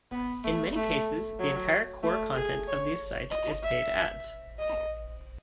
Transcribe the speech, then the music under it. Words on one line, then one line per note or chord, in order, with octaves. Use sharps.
In many cases, the entire core content of these sites is paid ads.
B3
A3
A3
F#3
A3
G#4
C#5
D#5
E5
D#5